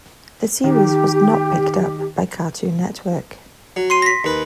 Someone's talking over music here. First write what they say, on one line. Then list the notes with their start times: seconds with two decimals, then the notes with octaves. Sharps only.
The series was not picked up by Cartoon Network.
0.64 D#3 G4
3.76 F#3
3.90 C6 C7 D#7
4.02 A#6 B6
4.24 D#2 B4